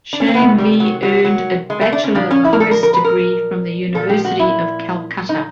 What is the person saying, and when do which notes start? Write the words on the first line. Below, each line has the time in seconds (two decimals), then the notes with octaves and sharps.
Shanghvi earned a Bachelor of Commerce degree from the University of Calcutta.
0.13 D4
0.20 C#4
0.29 C4
0.35 C3 D#3 B3
0.58 G3
0.80 F#3
1.03 F#3
1.25 F#3
1.70 G#3
1.81 A3
1.92 D4
2.04 C#4
2.14 A#2 F3 D4
2.31 C#4
2.44 E4
2.53 A#4
2.60 A4
2.71 A#4
2.83 A#4
2.93 B4
3.04 A#4
3.94 A#2 F3 A4
4.09 G4
4.25 F#4
4.40 E4
5.29 D#4